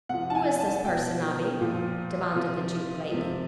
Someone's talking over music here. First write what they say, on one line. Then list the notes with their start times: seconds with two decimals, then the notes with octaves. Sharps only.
"Who is this person, Abbe?" demanded the duke, lightly.
0.09 C3 F3 F#5
0.30 A5
0.35 G#5
0.60 A5
0.85 B2 F#3 G5
1.61 A#2 F3
2.36 C3 F3
3.11 C3 F3